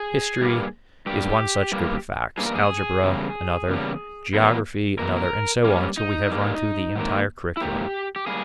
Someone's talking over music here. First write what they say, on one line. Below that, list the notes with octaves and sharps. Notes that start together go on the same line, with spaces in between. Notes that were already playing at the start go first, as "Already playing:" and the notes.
History is one such group of facts; algebra another; geography another, and so on till we have run through the entire curriculum.
Already playing: G#4
G2 G3 A#3
G2 G3 A#3 G4
G2 G3 A#3
G2 G3 A#3 G#4
A#4
G#4
E2 C#3 G3 A#3
E2 C#3 G3 A#3
E2 B2 A#3
E2 B2 A#3 A#4
A#4
G2 G3 A#3 C#4
D#4
G2 G3 A#3
G#2 D#3 A#3
E4
G#2 D#3 A#3 G4
G4
G3 A#3 G#4